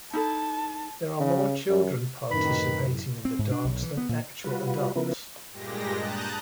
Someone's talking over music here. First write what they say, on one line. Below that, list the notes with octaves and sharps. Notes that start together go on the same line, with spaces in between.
There are more children participating in the dance than actual adults.
D#4 E4 A4 A5
C#3
F#2
F#2 A2 C3 D#3 B4 B5
C4
G#2
D4
B1
E3
B3
A#2
G3 F4 F#4 B4
C#3 F3 B3 E4 A#4 B4
G2 A#2 G#3 G4 A#6
A5 A#5 D#6 F#6 G6 A6